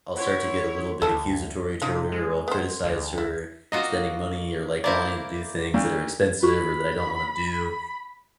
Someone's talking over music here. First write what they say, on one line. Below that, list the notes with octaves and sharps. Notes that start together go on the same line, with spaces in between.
I'll start to get a little bit accusatory toward her or I'll criticize her spending money or, like, wanting to do things that are expensive or that I don't want to do.
E4 C5 C#5 F#5
D2 A4 A5
C3 F3 D#4
G#3
B3 C5
D2
E4
A#3 F4 F#4 D#5
A#3 E4 A#4 C5 D5
D2
F4 F#4 B5 C#6